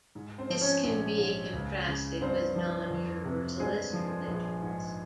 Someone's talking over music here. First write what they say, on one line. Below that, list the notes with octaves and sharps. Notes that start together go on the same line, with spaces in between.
This can be contrasted with non-universalist religions.
G#2
C4 C5
F3
C#4 C#5
A#1
G#2
C#2
C#3
G2 C4 C5
F3
F2
C3
G2 G#3 G#4
F3
A#1
G#2